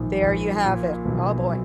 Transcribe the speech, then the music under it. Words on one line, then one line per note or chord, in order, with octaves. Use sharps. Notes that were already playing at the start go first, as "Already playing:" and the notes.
There you have it. Oh, boy.
Already playing: A#1 G#2 D#3
A#1
A#2
B1
F#3